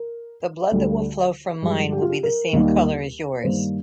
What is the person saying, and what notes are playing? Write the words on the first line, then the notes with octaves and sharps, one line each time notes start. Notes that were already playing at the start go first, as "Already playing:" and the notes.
The blood that will flow from mine will be the same color as yours.
Already playing: A#4
D2 D3 G3
G2 F3 G#3 G4
G4
F4
G4
A#4
D#2 D#3 G3 A#3
G2 D#3 G3 A#3 C5